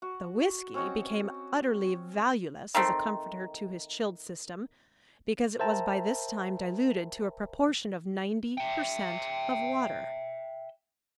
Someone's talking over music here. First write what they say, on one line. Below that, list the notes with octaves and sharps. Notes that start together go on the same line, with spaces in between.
The whiskey became utterly valueless as a comforter to his chilled system, because it was by this time diluted to a proportion of ninety per cent of water.
F#4
C4 C#4 F#4 D#5
D#3 A3 C4
A#4 C5 E5 G5 A5 A#5
E5 G5